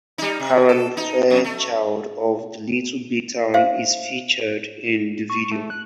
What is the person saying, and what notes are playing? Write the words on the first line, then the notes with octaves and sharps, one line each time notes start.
Karen Fairchild of Little Big Town is featured in the video.
G3 D#4
C3
A4
D#4
F2
A3
C5 E5 F5
C#6
A3
F#6